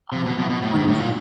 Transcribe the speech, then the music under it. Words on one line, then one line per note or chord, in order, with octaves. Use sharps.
Oh, how funny.
C3
B2
B2
B2
A2
G#2
A2
A#2